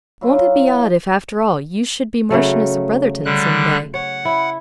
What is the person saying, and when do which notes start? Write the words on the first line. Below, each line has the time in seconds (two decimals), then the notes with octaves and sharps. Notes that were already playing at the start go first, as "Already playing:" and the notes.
Won't it be odd, if after all, you should be Marchioness of Brotherton some day?
0.21 F#3 E4 F4
2.30 C#3 F#3 A3
3.25 D3 G3 F#6
3.94 C#5 F#5
4.25 E4